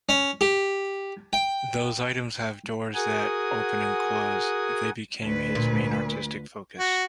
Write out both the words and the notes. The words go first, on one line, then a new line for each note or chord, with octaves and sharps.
These items have doors that open and close; they became his main artistic focus.
C#4
G4
G5
F#4 G#4 A#4 F#5 G#5 D#6
D2 B4
A#2
F#4